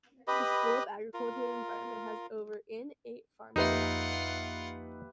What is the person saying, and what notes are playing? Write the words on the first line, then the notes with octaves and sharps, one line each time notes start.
The school of Agriculture and Environment has over in eight farms around the campus.
G4 B4 D#5 B5
F4 A#4
F2 A#3 D#4 F4 G4 B4 E5 F#5